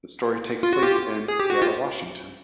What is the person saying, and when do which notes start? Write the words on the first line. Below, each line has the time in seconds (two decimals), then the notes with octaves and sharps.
The story takes place in Seattle, Washington.
0.63 F4
0.73 F#4
0.83 F4 G4
1.28 G#4
1.40 G4
1.50 F#4
1.61 F4 G4